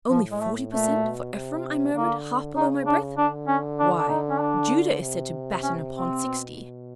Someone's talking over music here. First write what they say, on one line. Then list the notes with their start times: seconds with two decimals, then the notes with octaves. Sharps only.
'Only forty per cent for Ephraim!' I murmured, half below my breath. 'Why, Judah is said to batten upon sixty.'
0.10 A2 F3
0.31 G#3
0.40 A3
0.71 A#2 A3
1.03 B2
1.32 C3
1.94 D3 A#3
2.56 C#3 D#4
2.87 D4
3.17 D3 D4
3.47 C#4
3.79 D4
3.98 D4
4.09 D#4
4.30 C#4
4.39 D4
5.01 C3
5.63 C#4
5.94 C4
6.25 B2